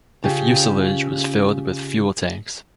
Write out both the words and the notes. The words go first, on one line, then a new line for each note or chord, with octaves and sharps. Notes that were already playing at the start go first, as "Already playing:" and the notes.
The fuselage was filled with fuel tanks.
C#3 F4 G4